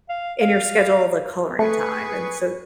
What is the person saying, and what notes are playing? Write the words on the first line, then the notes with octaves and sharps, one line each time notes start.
in your schedule the coloring time, and so,
F5
F5
A3 G#4 B4 C#6